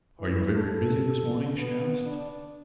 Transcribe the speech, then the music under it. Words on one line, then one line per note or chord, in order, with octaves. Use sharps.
"Are you very busy this morning?" she asked.
E3
A4
B3
D4